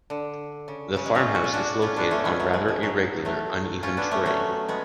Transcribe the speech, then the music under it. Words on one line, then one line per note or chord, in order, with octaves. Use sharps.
The farmhouse is located on rather irregular, uneven terrain.
D3
C#3
C#3
G#3
C#4 F4
F#4
F4
D4 F#4
C#4 F4
B3 D4
A3 C#4
G#3 B3
F#3 A3
G#3
F3
F#3
F#3 A3
C#4 F4
B3 D4
A3 C#4
F#3 A3
G#3 B3